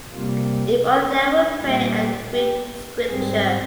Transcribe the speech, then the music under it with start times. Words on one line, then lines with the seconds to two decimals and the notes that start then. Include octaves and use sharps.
If only they would pray and read Scripture!
0.12 C3 G3 A#3 F4
1.59 A#2 G3 A#3 F4
1.96 G4
2.33 G4
3.06 G#2 G3 C4 G#4